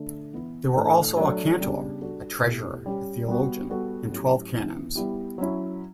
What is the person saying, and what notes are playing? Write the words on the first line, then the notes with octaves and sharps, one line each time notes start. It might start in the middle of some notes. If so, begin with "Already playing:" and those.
There were also a cantor, a treasurer, a theologian and twelve canons.
Already playing: D3 A3 D4
E3 B3 E4
A2 E3 A3 D4
F#3 A3 D4 A4
C#3 G3 B3 D4 G4
G3 D4 F#4 A4
B2 A3 E4 G4
G3 C#4 G4
G3 B3 F#4
G3 B3 F#4 A4
A2 F#3 C#4 E4 G4
E3 B3 E4
G3 B3 E4 G4
F#3 C#4 E4